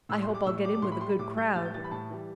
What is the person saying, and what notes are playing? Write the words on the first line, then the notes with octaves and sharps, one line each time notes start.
I hope I'll get in with a good crowd.
A2 E6
C6
G3
D6
A2 E6
G3 D6
D6
A2 C6
B5
G3 C6
B5
A2 D6
G3 G6
A2 A6
G6
E3 G3 A6
B5
A2 A5
E3 G3